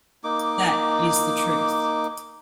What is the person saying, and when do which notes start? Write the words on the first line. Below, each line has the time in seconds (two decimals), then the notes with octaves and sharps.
That is the truth.
0.24 A#3 D#4 D6